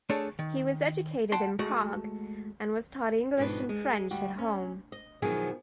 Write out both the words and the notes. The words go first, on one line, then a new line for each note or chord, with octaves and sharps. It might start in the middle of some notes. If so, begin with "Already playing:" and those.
He was educated in Prague and was taught English and French at home.
A3 D4 G#4 A4 C#5
D#3
F#5 G5 A5 C6
G#3 A3 F#4
F2 G#2 B2 D4 B4
G#3
D2 G3 F#4
C#4
D#5
E2 B2 D#3 F3 F#3 G#4